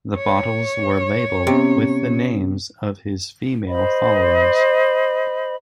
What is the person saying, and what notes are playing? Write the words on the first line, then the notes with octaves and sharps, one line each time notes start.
The bottles were labeled with the names of his female followers.
C#5
C3 B3 C#4
C5 D#5 B5